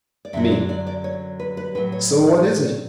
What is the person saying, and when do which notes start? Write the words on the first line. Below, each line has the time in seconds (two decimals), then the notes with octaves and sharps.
ME: So what is it?
0.25 D5
0.33 F#2 D3 F#3 E5
0.52 D5
0.69 D5
0.87 D5
1.04 C#5
1.40 B4
1.57 B4
1.75 A2 F#3 B4
1.92 C#5
2.11 D5
2.27 D5
2.45 D5
2.63 C#5